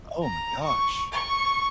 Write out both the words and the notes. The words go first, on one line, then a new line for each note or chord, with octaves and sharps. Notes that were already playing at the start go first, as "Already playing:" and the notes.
Oh my gosh.
A#5
C#6
C#6